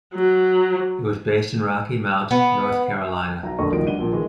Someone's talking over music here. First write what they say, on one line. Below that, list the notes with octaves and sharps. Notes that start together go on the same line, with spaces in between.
It was based in Rocky Mount, North Carolina.
F#3
B3
B1 A#5
F1 A#1 A#2 D3 D#5 C#6
D1 C#2 D#3 F3 D#5 D7
G1 G3 D4 F#5 D#7 G7
A#1 A#2 F3
D#3 E3 G#3